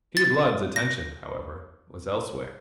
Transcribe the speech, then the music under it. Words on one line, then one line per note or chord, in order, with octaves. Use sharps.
Peter Blood's attention, however, was elsewhere.
A6
A#6